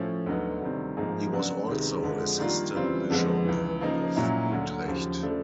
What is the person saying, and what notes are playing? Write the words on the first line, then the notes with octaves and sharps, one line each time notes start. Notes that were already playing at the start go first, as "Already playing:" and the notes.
He was also assistant bishop of Utrecht.
Already playing: A2 F3 A3 C#4
D2 D3 F#3 B3 D#4
D2 C3 D#3 G3 C4
G#2 F3 A#3 D#4 G#4
C#3 F#3 B3 D4
C#2 C3 D#3 G#3
F2 D3 F3 G#3
D#3 G3 A#3 D4 F4
C#3 E3 G3 C4 F4
F2 D3 F3 G#3 B3
C#2 C#3 E3
C#3 F3 A#3 D#4
A#2 F#3 A#3 C#4 E4
D2 D3 F#3
D#2 C#3 F3
C#3 F3 A3 D4